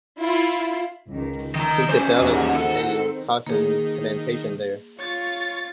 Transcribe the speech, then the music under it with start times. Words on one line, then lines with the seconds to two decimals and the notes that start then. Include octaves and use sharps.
He developed a cotton plantation there.
0.20 E4 F4
1.08 C#2 D#3
1.55 D#3 A#5 E6 G6
1.89 E2 C#4 C5
2.21 D#2 G#2 F#4
2.56 D#3 C4 A4
3.46 D#3 A#3 G#4
4.99 F4 C#5 A6